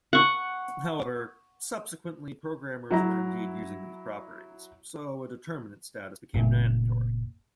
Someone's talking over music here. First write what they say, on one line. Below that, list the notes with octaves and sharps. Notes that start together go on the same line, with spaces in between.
However, subsequently programmers were indeed using these properties, so a determinate status became mandatory.
F#5 C#6
F#3 E4 A#5
F#1 A#2 A3